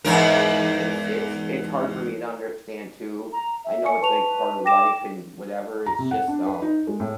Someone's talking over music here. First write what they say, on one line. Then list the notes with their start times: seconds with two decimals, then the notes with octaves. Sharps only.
it's it's it's hard for me to understand too. I know it's, like, part of life and whatever, it's just, um
0.04 E2 G#2 A#4
3.33 A#5
3.65 E5
3.85 G#5 C#6 C#7
4.02 B4 A5 C#6 F7
4.65 G5 D6 A#6 E7
5.86 A#5
5.99 C3
6.11 F#5
6.28 D4
6.46 B4
6.62 D#4
6.87 G#3
7.00 A2